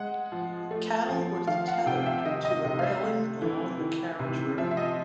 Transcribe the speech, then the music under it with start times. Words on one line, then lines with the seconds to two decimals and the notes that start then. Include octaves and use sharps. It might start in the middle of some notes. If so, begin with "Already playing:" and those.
Cattle were tethered to a railing along the carriage road.
Already playing: G#3 F#5
0.32 F3
0.71 A3
1.09 F3
1.47 D#3 F5
1.68 F#5
1.86 C3 G5
2.06 E5
2.25 D#3 D#5
2.45 D#5
2.65 C3 D#5
2.79 F5
2.83 E5
3.03 A3
3.42 E3
3.80 D#3
4.19 C3
4.58 F3 E5
4.71 E5
4.77 D#5